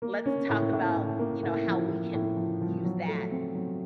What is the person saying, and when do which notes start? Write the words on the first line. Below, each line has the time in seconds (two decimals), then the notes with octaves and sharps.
"let's talk about," you know, "how we can use that,"
0.02 A#3
0.26 C#4
0.49 A2
0.73 A2
0.96 A2
1.19 A#3
1.43 A2
1.67 F3
1.91 F3
2.14 A2
2.37 F3
2.61 F3
2.84 F#3
3.08 A3
3.31 C4
3.55 F#3